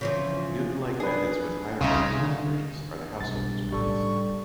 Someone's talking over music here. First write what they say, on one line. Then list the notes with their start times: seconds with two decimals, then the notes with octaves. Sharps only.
Newton-like methods with higher orders of convergence are the Householder's methods.
0.01 C#3 E3 F3
1.00 D4 G#4 B4
1.81 C2 C#3 D#4 E5 F5 C6
2.20 D3
3.21 B1 G2 A6
3.72 A2 C#3 G3 A4 C#6